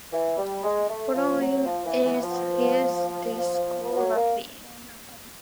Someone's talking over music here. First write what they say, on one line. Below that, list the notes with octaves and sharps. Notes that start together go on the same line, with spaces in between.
Following is his discography.
E3
G3
G#3
A3
F3
F#3
F3
E3
E3
F3
F3
F#3
A#3